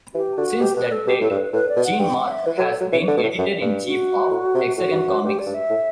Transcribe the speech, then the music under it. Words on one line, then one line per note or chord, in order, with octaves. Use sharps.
Since that date, Jean-Marc has been editor-in-chief of Hexagon Comics.
E3 G4
D3 F#4
B2 G4
B2 B4
A4
B2 G4
A2 A4
G2
B4
A2 B4
D5
B2
F#5
G2 G5
F#5
E5
E3 B4
F#3
A4
F#3
E3
D3
B2
A2
F#2
G2
F#4
A2
C3
A2 F#4
G2
F#2
G2 G4
D5
G2
E5
A2